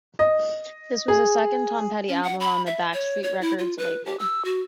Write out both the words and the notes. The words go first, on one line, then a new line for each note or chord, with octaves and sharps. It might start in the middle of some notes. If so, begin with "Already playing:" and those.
This was the second Tom Petty album on the Backstreet Records label.
D#5
G#4
C#4
F#5
B5
E5
C#5
C#5
E4
F4
B4
G4
E6
F#4